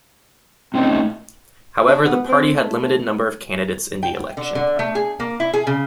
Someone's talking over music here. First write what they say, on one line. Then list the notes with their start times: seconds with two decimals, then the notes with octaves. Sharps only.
However, the party had limited number of candidates in the election.
0.74 A2 C4 C#4 D#4
0.91 A3
1.87 D4
2.05 B3
2.28 C4
2.55 A3
2.81 A3
4.03 G5
4.37 D3
4.55 D3
4.79 A3
4.95 G#4
5.20 A#3
5.40 E4
5.53 G#4
5.67 C#3